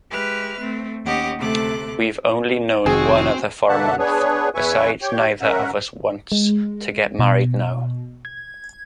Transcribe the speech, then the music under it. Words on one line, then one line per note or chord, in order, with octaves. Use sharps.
We’ve only known one another for a month. Besides, neither of us wants to get married now.
G#3 G4 B4 E5 F6
A3 C4
D#2 C#4 G4 D#5 F#5 D6
D2 C3 A3 A4 D6 F#6
F1 D#3 C4 F#4 G#4 G#5
B2 D3 A#3 E5 F#5 A5
B3 D4 G#4 B4 C#5
E2 C#3 B4 E5 G#5 C#6
G4 C#5 G5
C#4 A#4 E5 F#5
G#3
B2
G#6